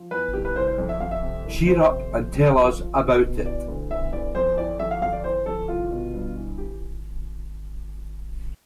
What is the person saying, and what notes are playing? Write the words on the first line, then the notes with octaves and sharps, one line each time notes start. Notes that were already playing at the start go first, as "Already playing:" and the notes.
Cheer up, and tell us about it!
Already playing: F3
E2 B4
C2 G4
B4
C2 C5
C5
F2
E5
F2 F5
E5
C3
C2
F2 C5
C3
F2
F2
F3
F3
B2
B2
E3 D5
D2
E2 E5
E2 D5
F2 C5
E3 D5
F2 E5
F5
F2 F5
D5
E3 C5
F2 A4
C2 F4
B2
G2
E3
G4